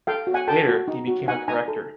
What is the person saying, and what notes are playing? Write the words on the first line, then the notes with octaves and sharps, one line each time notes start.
Later, he became a corrector.
A4 F5 G5
F#4
F#5 G#5
A4 G5 A5
F#4
D#4
F#4
D#4 F#5 G#5
D#4 G#5 A#5
A4